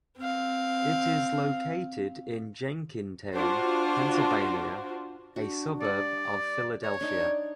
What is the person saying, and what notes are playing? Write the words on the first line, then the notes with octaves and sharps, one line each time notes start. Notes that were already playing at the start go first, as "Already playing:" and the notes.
It is located in Jenkintown, Pennsylvania, a suburb of Philadelphia.
C4 F5
D4 F4 F#4 C5
D4 F#4 G5
G3 D5 F#5
C#5 D5 A#5
D4 D#4 D5 G5